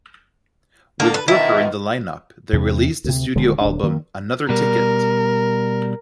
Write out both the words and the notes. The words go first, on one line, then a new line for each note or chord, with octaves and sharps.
With Brooker in the lineup, they released the studio album "Another Ticket".
D3 A#3 A4
B4
B2 D#3 E4 F4
E2 C3
D2 C3
D#1 D3 G#3
D#1 D4
D#3 A#3
B2 G3 A#4